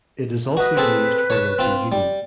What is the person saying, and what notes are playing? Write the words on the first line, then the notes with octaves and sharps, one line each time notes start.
It is also used for rugby union.
F#4 B4 D#5
C4 G#4 A4
C#5 A5
C4 F4
G3